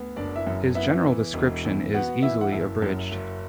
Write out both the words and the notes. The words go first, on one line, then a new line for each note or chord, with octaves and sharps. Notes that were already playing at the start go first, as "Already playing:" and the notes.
His general description is easily abridged.
Already playing: D2 B3
F#1 D4 D5
E4 E5
F#2
B3 E4 E5
E3
E1
E2
B3 F#4 F#5
E3 E4 E5
F#5
F#1 E4 E5
F#2
F#1